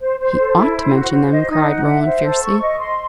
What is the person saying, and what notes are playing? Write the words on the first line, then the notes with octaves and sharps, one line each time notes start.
"He ought to mention them," cried Roland fiercely.
C5
C5
A4
E4
C5
F#4
C5
D#5
D#4
F#5
E5
C5
A4
C#6
D#5
C6